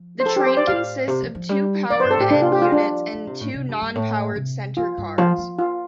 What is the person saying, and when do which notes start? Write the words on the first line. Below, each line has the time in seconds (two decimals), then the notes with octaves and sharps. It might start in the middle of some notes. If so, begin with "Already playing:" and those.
The train consists of two powered end units and two non-powered center cars.
Already playing: F3
0.20 C5
0.26 A4
0.36 G4
0.46 C5
0.57 D5
0.67 A2 F5
1.08 C3
1.22 F3
1.35 F3
1.49 G3
1.90 F3 D5
2.00 C5
2.04 G2
2.11 A4
2.17 A2 G4
2.31 C3 D4
2.42 F4
2.52 G4
2.62 F4
2.72 F3 D4
3.13 F3
3.27 C3
3.41 A2
3.54 C3
3.68 G2
3.81 G2
3.95 A2
4.36 C3
4.77 F3 F4
4.98 G2
5.18 F3 F4
5.38 F3
5.58 F4